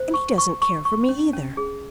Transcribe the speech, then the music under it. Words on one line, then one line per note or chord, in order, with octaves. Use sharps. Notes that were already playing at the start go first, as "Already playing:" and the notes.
And he doesn't care for me either.
Already playing: C5
C#6
C#6
C#6
C#6
C#4
C#4
G#4